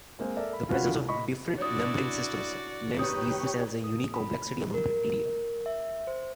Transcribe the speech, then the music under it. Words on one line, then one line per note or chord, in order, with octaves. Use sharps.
The presence of different membrane systems lends these cells a unique complexity among bacteria.
G#3 A#3 C4
A4 A#4 D5 E5
B5
C#4 F4 F#4 B4 F#5
C2
D#5 B5 C#6
D4 E4 F#4 C#5 D5 D#6
D#4 G4 B4 C#5 D#6
D#6
B5
A#4
E5
C5